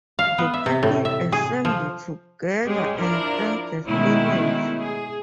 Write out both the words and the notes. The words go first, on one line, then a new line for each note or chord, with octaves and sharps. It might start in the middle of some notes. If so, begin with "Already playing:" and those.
The people assemble together and thank the spirit.
F5
B3
E5
C3
A2
E5
G#4
F3
G#3 C#4 G4 G#4
F3 D4 E4 A#4 D5
B2 D#3 G#3 A3 C#4 E4
G#4